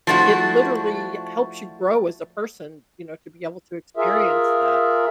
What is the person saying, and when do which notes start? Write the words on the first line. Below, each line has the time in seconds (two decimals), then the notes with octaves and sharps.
it literally helps you grow as a person, you know, to be able to experience that.
0.07 F3 A3 D4 E4 F#4
3.97 F4 G#4 A#4 E5